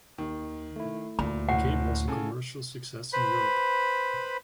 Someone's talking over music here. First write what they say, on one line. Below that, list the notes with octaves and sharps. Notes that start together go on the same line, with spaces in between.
The game was a commercial success in Europe.
D#2 D#3
A3 E4
D2 A#2 B5
F#1 A2 F#5 C#6 C7
C#3 A4 G#5
B4 C5 B5